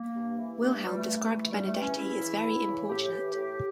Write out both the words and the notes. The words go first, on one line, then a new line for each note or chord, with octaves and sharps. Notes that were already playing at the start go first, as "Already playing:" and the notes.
Wilhelm described Benedetti as very importunate.
Already playing: A#3
G2
E3
G2 A#3
A3
E3 G3
A3
G2
E3
G2 G3
A3
E3
C#4
E2 E4
C#3 E3
E2
C#3 E3
A2 G4
E3
A2